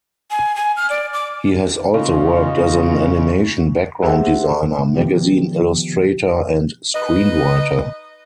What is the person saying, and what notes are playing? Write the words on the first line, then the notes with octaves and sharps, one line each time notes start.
He has also worked as an animation background designer, magazine illustrator and screenwriter.
G#5
G#5
F6
D5
D6
C#3 F4 D#5
G4 G#4 C5 E5 F#5
B2 D3 D#3 F3 B3 G4
D#4 B4 D#5